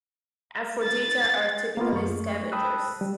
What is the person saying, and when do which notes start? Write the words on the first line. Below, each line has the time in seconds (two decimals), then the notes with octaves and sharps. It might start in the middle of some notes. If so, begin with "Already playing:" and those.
"Aphrodita" are typically scavengers.
0.84 A6
1.77 A#3 B3 F4
1.93 F#2 A3 C#6
2.52 G5 A5 B5 D#6 E6 F#6
3.01 G3